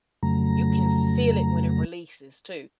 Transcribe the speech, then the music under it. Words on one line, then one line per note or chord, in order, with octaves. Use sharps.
you can feel it when it releases, too.
F2 C#3 F#3 A3 A#5